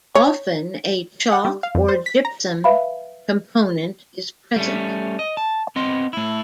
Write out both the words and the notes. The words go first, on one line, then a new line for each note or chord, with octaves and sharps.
Often a chalk or gypsum component is present.
C#5
F#5
G3
F5
F2
C5
B6
A#5
B4 E5 F5 B5
G3 A3 C#4
D#5
A5
B3 C4 D#5 C6
A3 E4